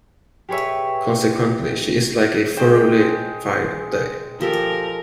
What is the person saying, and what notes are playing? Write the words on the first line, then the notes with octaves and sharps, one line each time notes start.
Consequently she is like a thoroughly fine day.
G4 G#4 B4 C#5 E5
G#3 C5 G5
F3 G4 A4 A#4